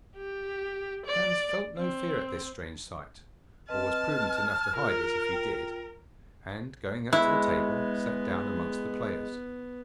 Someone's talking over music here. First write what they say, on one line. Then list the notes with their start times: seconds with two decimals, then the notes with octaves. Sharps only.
Hans felt no fear at this strange sight, or was prudent enough to hide it if he did, and, going up to the table, sat down amongst the players.
0.16 G4
1.06 D5
1.78 C4
3.69 C4 B4 D#5 A5 F6
4.75 F4 A#4
5.31 F4 G5
7.13 G#3 B3 E4 C#6 F#6